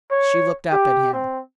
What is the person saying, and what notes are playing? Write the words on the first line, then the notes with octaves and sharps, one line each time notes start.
She looked up at him.
C#5
G4
C4